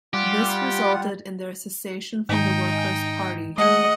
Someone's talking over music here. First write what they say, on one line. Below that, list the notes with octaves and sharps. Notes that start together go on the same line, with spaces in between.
This resulted in their secession from the Workers Party.
G3 F4 G4 F#5
G#2 D#3 G#3 D#4 G5
D#5 G#5
G#3 A3 G#4 D#5 F#5